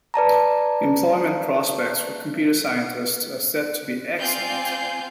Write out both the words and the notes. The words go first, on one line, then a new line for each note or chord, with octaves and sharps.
Employment prospects for computer scientists are said to be excellent.
B4 D5 A5 A#5
C4 F4 D5 G#5 G6 C7